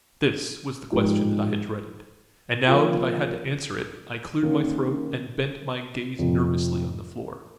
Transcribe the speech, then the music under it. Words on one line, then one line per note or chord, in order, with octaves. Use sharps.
This was the question that I had dreaded, and now that I had to answer it I cleared my throat and bent my gaze nervously on the floor.
G#2 F3 G#3 D#4 G4
F3 A#3 F4
D#3 A#3 C#4
F2 C3 F3